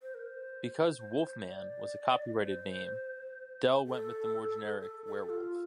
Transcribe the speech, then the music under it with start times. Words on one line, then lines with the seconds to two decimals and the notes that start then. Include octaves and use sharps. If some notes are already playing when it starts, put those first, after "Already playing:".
Because "Wolfman" was a copyrighted name, Dell went with the more generic "Werewolf".
0.02 C5
0.14 A#4
0.26 C5
0.98 C5
1.46 D5
2.42 C5
3.86 A4
4.82 A4
5.05 A4
5.29 F4